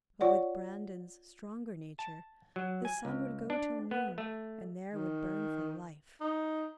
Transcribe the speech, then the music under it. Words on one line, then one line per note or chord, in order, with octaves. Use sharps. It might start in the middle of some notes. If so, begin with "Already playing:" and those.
But with Brandon's stronger nature the sun would go till noon and there would burn for life.
F4 C#5 D5 F#5
A5
F#3
G#5
C#2
D4
B3
A3
D#3
D#4